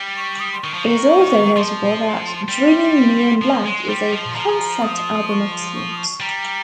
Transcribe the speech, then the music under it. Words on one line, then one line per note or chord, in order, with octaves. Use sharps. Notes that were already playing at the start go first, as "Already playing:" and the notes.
It is also notable that "Dreaming Neon Black" is a concept album of sorts.
Already playing: G3
C#6
D#6
C6
D#3 C#6
F3
D#3
F3 C6
C6
G3
F3
G#3
G3
F3
F3 A#5
D#6
C#6
C6
C#6
D#6
C#6
G3 A#5